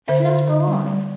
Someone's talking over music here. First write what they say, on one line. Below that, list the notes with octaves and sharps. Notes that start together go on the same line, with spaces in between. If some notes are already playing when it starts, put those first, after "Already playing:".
I cannot go on.
D3 C5 E5
D3
D3
G3
G3